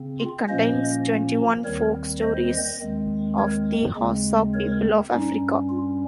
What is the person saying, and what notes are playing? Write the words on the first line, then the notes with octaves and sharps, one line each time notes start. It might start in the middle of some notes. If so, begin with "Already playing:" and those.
It contains twenty-one folk-stories of the Hausa people of Africa.
Already playing: C#3 C4
F4
A#2 F3 A#3 C#4 C5 D#5
D#2 D#3 G3 C4 A#4 C#5
C5 D#5
D#2 D#3 G#3 C4
A#4 C#5
D#2 C#3 G#3 C4
A#4 C#5
G2 G3 C#4 D#4
F4